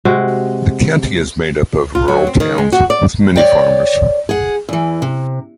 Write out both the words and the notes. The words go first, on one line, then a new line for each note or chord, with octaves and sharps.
The county is made up of rural towns with many farmers.
C3 G#3 F#4
F4
F#3
C4
D#3
G#3
F#4
D5
C#5 D5 G5
G#4 F#5
E2 E3
C3